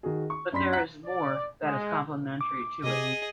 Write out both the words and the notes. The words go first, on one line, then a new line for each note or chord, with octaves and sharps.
But there is more that is complementary to it.
D#3 F#4 G#4
C#6
F#2 D4 B5 C6 B6
F#5 A#5 F#6 B6
D5
G#3
D6
C3 G#4 D#5